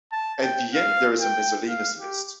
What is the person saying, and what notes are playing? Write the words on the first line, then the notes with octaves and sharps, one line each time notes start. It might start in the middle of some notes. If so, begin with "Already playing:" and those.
At the end there is a miscellaneous list.
A5
G5
F5
G5
F5
G4